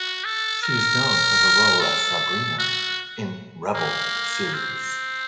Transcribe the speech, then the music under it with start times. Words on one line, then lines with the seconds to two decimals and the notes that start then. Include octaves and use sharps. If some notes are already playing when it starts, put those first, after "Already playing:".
She is known for her role as Sabrina in “Rebel” series.
Already playing: F#4
0.25 A4
0.63 A#4
1.80 A4
2.59 F#4
3.75 A#3
4.54 C4